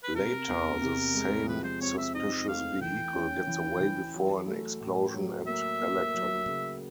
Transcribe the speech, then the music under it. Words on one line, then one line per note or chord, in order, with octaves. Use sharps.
Later, the same suspicious vehicle gets away before an explosion at Elekton.
B4
C3 A#4
E2
C3
G#3
F3 B4
C5
C4 C#5
E5
D#4 D#5
A3 F5
E3 G5
C#4
E3
E3
F#3
A3
A2
F#3
A#3 E5
A#3
F#3
C#3